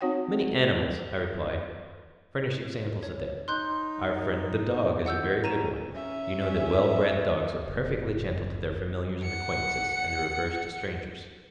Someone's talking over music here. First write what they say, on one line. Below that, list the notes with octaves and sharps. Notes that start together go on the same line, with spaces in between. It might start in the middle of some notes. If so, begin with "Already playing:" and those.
Many animals, I replied, furnish examples of them; our friend the dog is a very good one: you know that well-bred dogs are perfectly gentle to their familiars and acquaintances, and the reverse to strangers.
C4 D#4 F#4 C#5 F#5 G5
C#5
D#4 C6 F#6 G6
D#2 F#5 E6 G6
C#4 A#5 D#7 E7
C#4 E5
F#1
F#5 C#7